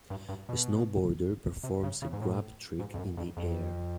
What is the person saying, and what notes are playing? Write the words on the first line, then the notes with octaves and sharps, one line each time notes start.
A snowboarder performs a grab trick in the air.
G2
G2
B2
C3
C#3
C#3
G#2
A2
G#2
F2
F#2
F2
F2